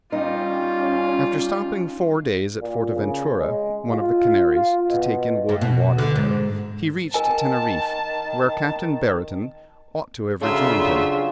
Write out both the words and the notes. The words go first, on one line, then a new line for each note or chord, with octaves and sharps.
After stopping four days at Fortaventura, one of the Canaries, to take in wood and water there, he reached Teneriffe, where Captain Brereton ought to have rejoined him.
G3 C#4 D#4 F4
A#2
C#3
G#3
F4
F4
B2
G2
B2
D3
G#2
D#3 A#4 G#5 A5
C#3 F3 F#3 D4 F4 A4 E5